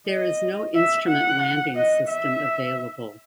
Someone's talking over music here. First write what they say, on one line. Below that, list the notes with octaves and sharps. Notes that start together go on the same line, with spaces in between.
There is no instrument landing system available.
D#5
E5
F#5
D#5
E5